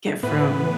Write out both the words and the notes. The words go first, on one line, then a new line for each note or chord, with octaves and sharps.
get from
A2 E3 B3 B4